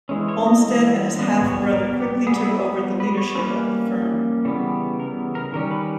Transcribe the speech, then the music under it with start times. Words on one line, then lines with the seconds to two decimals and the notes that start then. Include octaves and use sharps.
Olmsted and his half brother quickly took over leadership of the firm.
0.09 E3 G#3 C#4
0.28 C#5
0.47 D#5
1.19 G3 B3
1.46 C#5
1.73 A#4
2.00 G4
2.27 G3 B3 G#4
2.45 E4
2.63 G#4
3.00 B4
3.17 C#5
3.35 G3 A#3 C#4 B4
4.45 C#3 E3 G3 B3
5.00 A#4
5.35 A#4
5.53 D#3 G3 C#4 A#4
5.71 B4